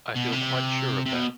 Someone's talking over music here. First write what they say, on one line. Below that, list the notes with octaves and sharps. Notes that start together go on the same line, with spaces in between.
I feel quite sure of that.
B2
C3
C3
B2